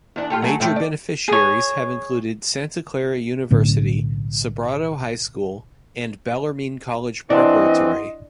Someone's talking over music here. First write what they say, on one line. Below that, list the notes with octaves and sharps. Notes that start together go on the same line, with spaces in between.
Major beneficiaries have included Santa Clara University, Sobrato High School, and Bellarmine College Preparatory.
E2 D4
F4 G4 A4
F#3 A3 G#4
A2 A3 G4
D5
G#4 C#5
B1 A2 D3 C#4
E3 C4 D4 E4 D#5 F#5 C6